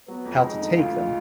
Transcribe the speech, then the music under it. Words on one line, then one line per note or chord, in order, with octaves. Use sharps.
how to take them.
F#3 B3
F2
G#3 D#4
D3
D2 F4
G#3